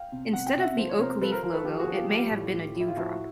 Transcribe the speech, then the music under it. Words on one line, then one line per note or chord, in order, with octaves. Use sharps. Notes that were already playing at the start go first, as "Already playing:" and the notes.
Instead of the Oak Leaf logo it may have been a dew drop.
Already playing: F5 G5
C3
C3 F#5
G5
C3 E5 F#5
F3 C5
C#5
C3 A#4 C5
F3 A4 B4
A#4 C5
F3 A#4 C5
A4 B4
F3 G4 A4
F#4 G#4
F3
F4 G4
G#4
G3 F4 G4
A2
A2
A2
E4
F4
F3 E4 F#4